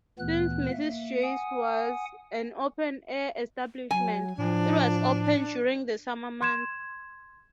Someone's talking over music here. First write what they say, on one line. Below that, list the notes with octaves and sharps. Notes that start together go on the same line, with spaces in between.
Since Mrs. Jay's was an open-air establishment, it was open during the summer months.
D2 A#2 E3 B3 F#6
A#3 E5
F#5 G#5 D#6
F#3 G#5
A2 F3 D4
C6 G#6 E7